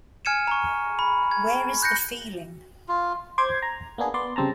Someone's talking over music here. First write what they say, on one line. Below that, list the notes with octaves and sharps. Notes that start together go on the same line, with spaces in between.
Where Is the Feeling?
G#5 F6 G#6 C#7 D#7 E7
A#5 C#6
B5
G#6
F#6 G6 A#6 C#7
F4
C5 C6 D6 G#6
A#5
A#3 B3 D4 G#4
B3 D5 C6
C#3 G3 C4 A5 A#5